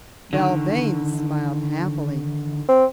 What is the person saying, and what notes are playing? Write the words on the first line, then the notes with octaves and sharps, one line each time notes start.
Belvane smiled happily.
D3 D#3
C4